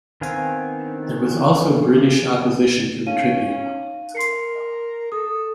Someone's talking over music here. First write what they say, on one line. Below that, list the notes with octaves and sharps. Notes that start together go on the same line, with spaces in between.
There was also British opposition to the tribute.
D#3 B3 C4 F5 G#5
C#4 D#4 F5 D#7
A#4 C6 C7 C#7
A4 D#6